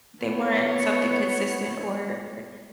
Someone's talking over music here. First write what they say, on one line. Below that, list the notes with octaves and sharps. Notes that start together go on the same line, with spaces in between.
they weren't something consistent or r
B3 C#5